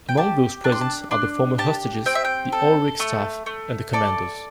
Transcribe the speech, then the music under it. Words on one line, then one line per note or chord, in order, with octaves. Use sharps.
Among those present are the former hostages, the oil rig staff and the commandos.
G5
G4 A5
D4 A5
C6
A5
D4 C6
G4 A5
C4 G5
E5
G5
A4
A3
A3
A4 D5